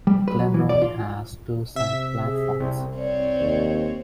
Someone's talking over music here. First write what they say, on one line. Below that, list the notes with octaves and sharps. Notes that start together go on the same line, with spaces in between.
Glenroy has two side platforms.
G3
B4
F#3
E3
D5
F4
C3 E5
G#4
C2 C4
C4 C#5 D5
D#2